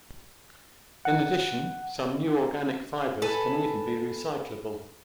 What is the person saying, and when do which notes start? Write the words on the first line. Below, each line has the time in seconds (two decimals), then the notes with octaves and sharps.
In addition, some new organic fibers can even be recyclable.
1.05 F#5
3.22 A4 B4 G#5